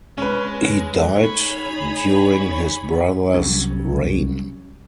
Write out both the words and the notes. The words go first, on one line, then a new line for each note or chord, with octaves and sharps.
He died during his brother's reign.
G#3 C#4 B4
D#4 G#4 C#5 B5
C2 F#3 G3 C#4